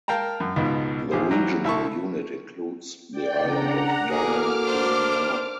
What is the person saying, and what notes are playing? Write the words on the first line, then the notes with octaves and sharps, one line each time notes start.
The regional unit includes the island of Dia to the north.
A#4 F5 G5 A5 A#5
F#2
C#2 G#2 B2
A#1 G4 G#4 C5
E3 F#3 G3
C2 E5 A5 C#6
D5 G5
C#3 D4 F#5 A#5
A#3 F#4 G#4 A4 D6 F6
D4 C5